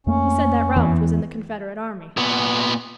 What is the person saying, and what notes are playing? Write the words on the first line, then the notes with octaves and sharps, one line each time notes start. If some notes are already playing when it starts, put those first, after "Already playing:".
He said that Ralph was in the Confederate army.
F2 A3 A#3 C#4
E2 E3
A#2 B3